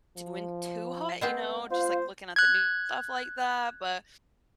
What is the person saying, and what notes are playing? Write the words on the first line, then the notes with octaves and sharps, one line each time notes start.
doing too hot, you know, just like looking at the news and stuff like that, but
F3
G#3 B3 C4 B4
F4 C5 F5
F#6 G#6